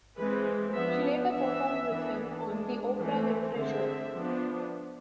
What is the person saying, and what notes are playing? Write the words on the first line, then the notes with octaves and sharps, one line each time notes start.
She later performed with him on "The Oprah Winfrey Show".
E3 G#3 C4 B4
F3 B3 D4 E5
E3 B3 D4 E5
E3 B3 D4
G#3 D4
E3 A3 C4
D3 G#3 C4 E5
F3 B3 D4